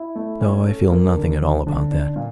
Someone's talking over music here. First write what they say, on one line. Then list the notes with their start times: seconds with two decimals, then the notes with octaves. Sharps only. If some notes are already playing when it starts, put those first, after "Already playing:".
No, I feel nothing at all about that.
Already playing: E4
0.15 A3
0.41 C#4
0.66 A4
0.91 A#3
1.16 D3
1.41 F3
1.67 D3
1.91 D4
2.16 A#2